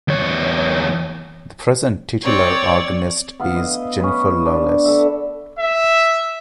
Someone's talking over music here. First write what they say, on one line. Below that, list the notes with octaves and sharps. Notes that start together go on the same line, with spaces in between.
The present titular organist is Jennifer Loveless.
E2 C#5
C4 C#5 D5
B3 E4 F5
D#5
C#4 B4
D4
A4 E5
E5